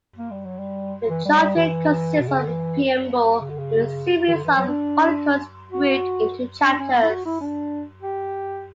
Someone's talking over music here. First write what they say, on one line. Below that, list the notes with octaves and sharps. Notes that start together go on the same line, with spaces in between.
The Charter consists of a "preamble" and a series of articles grouped into chapters.
A#3
G3
F#3
G3
E3
G3
G3
E3
B2
C#3
D3
E3
C#3
D3
C#3
E3
D3
E3
F#3
D4
F#4
D4
C#4
B3
E4
F#4
E4
D4
G4